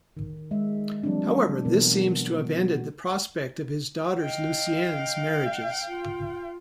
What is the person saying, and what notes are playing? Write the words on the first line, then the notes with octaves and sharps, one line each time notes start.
However, this seems to have ended the prospect of his daughters' Lusignan marriages.
D#3
G#3 E5
E3 F#3 G3 C4 D4
B2 E3 B3 A#4
F#4
D#5 F5 G5
F4